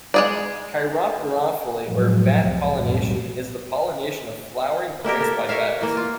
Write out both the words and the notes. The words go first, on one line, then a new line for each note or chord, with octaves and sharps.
Chiropterophily or bat pollination is the pollination of flowering plants by bats.
G#3 G#4 D5
F#2 A2 F3 F#3 G#3
C#2 C3
B1 F2 A2 F#3 G3
A#3 E4 G4 A#4
A4 A#4
A#4 C#5 E5 F5
E3 A#3
F4